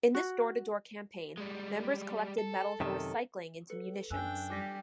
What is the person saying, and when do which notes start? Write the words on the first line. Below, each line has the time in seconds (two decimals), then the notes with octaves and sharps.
In this door to door campaign, members collected metal for recycling into munitions.
0.15 F#4
1.37 G3 G#3
2.38 A4
2.80 F#2 C3 D#3
3.70 A4 B4 C#7
4.10 F#2 D4 G5 G#5 E6 F#6
4.50 G3 G4 D6 A#6 B6